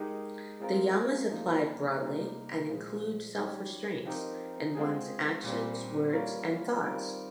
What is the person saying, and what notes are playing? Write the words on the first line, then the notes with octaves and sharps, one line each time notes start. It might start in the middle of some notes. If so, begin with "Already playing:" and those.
The Yamas apply broadly and include self-restraints in one's actions, words and thoughts.
Already playing: G#3 D#4 G4 A#4
G#3 C4 F4 A#4
F3 A#3 D#4
C3 G3 A#3 D#4 A#4
A#2 F3 G#3
D#3 G3 C#4 G4
F3 C4 D#4 G4 A#4
G#3 C4 F4 G#4
A#2 G3 C4
G3 A#3 C#4 F4 A#4
D#3 G3 C4 F4 A#4